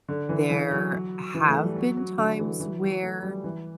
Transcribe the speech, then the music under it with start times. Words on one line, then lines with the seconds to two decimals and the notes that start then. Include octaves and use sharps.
there have been times where
0.09 D3
0.29 E3
0.50 E3
0.71 F#3
1.34 E3
1.48 A3
1.63 G3
1.76 F#3
1.97 F#3
2.18 D3
2.39 E3
2.60 E3
2.81 F#3
3.03 A3
3.23 G3
3.44 E3